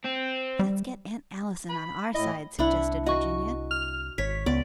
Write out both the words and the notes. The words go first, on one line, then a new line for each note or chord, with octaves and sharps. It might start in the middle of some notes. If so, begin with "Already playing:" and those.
"Let's get Aunt Allison on our side," suggested Virginia.
C4
G3
B5
A2 E4 D#5
C2 D4 E4 F#5
F#4 D#5 C#6
F6 F7
G#1 C#5 B6
C#2 B3 D5